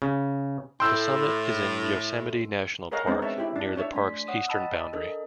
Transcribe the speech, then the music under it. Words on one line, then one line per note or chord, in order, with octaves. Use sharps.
The summit is in Yosemite National Park near the park's eastern boundary.
C#3
A2 G5 C6 E6
G#4 A#4 C#5 D#5 F5 F#5
G#3 B3 C4 D4 D#4
C#5 E5 A5
E4 G4
D4
D4 C#5 E5
A3 D4 D5 C6 B6
C#5 F#5 D#6
D#5 G5 A5 B5 E6
D4 A4 A#4 D#5